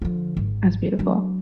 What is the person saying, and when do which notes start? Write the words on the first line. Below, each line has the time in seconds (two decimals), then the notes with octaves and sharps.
That's beautiful.
0.02 D3 F3
0.37 G#1
0.99 F#3 D4